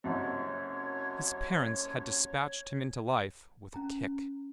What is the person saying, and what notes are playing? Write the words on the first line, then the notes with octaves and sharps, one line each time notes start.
His parents had despatched him into life with a kick.
F#1 C2 F#2 C#5
C#4 A#5